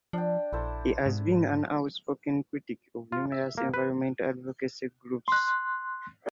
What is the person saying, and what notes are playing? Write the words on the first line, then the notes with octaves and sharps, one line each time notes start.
He has been an outspoken critic of numerous environmental advocacy groups.
F3 D4 G5
A#1 E4 A4 C5
G#2
F4
E5
A#3
B4
C6 F#6